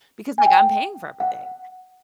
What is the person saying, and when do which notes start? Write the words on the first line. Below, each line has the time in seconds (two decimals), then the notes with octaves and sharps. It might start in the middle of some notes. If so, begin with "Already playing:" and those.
because, like, I'm paying for everything."
0.38 G#5
0.46 G5
1.20 F#5